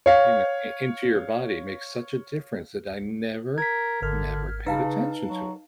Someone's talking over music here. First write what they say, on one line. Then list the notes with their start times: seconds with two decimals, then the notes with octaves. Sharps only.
you know i into your body makes such a difference that I never, never paid attention to it.
0.06 C#5 F5
3.58 A#4 G#6 B6
4.02 G#1 D3 A#4 F6
4.67 C#3 D#4 B4 F5 A5
5.27 F#3